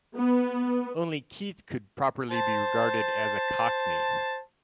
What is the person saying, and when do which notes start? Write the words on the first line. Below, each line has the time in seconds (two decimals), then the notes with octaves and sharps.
Only Keats could properly be regarded as a cockney.
0.17 B3
2.31 C5 A5